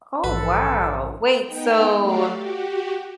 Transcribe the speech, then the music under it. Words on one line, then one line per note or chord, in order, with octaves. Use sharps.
Oh, wow, wait, so,
A#1 G#2 E3 A4 B4
B3 D#4 G5
A3 F#4 G4 D5 F5
F#4 G4